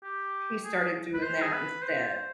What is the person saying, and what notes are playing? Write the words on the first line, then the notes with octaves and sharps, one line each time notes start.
he started doing that instead.
G4
G#4
B4
C5
G#4
B4
C5